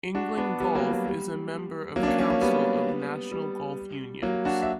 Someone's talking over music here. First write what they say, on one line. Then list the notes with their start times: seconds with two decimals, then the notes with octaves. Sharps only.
England Golf is a member of Council of National Golf Unions.
0.15 D4 F#4
0.38 B3 D4
0.60 G3 B3
0.75 F#3 A#3
0.91 F#3
1.06 G3
1.96 F#3 A#3
2.03 D4
2.08 A#3 C#4
2.19 A#3 C#4
2.30 A#3 C#4
2.41 G3 B3
3.32 G3
4.23 F#3 A#3
4.45 D4 F#4
4.62 E5